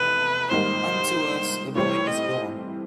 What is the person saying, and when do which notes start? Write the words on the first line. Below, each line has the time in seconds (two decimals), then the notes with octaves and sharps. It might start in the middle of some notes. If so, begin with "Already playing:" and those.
Unto us a boy is born.
Already playing: F1 E2 C3 B4
0.51 G#2 D#3 G3 A#3 C5
1.75 A2 E3 G3 C4 C#5
2.07 D#5